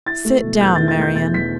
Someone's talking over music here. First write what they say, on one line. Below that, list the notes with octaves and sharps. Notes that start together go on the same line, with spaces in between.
Sit down, Marian.
E4 A6
A3
B2
E2 G6
A6
E4
A6
A3 G6
B2 A6
E2 B6